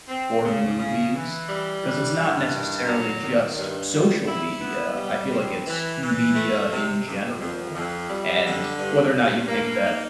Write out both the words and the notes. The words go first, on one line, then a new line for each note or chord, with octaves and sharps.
or movies, 'cause it's not necessarily just social media, I feel like it's media in general. And, whether or not you think that,
C4
C#3
C#3
E3
G3
E3
G2
D#3
F#3
D#3
G2
G3
E4
B3
G3
C4
E3
E3
A3
C3
F2
F2
F2
G3
D3
G2
G2
A#3
D#4